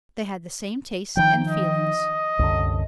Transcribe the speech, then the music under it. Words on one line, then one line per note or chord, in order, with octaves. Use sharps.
They had the same tastes and feelings.
D#3 F3 G5
D#5
C2 F#2 D3